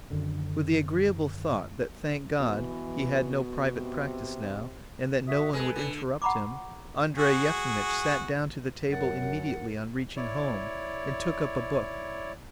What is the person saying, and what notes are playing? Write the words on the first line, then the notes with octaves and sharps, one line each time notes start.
With the agreeable thought that, thank God, he had no private practice now, and that no one would interrupt him, Andrey Yefimitch sat down to the table immediately on reaching home and took up a book.
F#2 D3 D#3
B2 E3
C3
F#4 E5 D#6
G#3 A4 B4 G#5
D3
F#5 A#5 B5 C#6 D6
F#4 G#4
F#2 A#4 F#5 A6
E4 C#5 D5